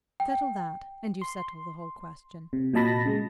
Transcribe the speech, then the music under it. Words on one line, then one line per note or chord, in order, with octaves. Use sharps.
Settle that, and you settle the whole question.
G5
C6
C3
A#2 F#3 D#5 A5 B5 A#6
C#3 G#3